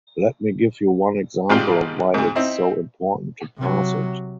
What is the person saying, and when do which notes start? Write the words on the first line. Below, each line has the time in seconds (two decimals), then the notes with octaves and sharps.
Let me give you one example of why it’s so important to pass it.
1.50 G#1 G#2 G3 F4 G5 C6
2.14 D2 G#2
2.35 C4 D#4 E4
3.57 C3 F#3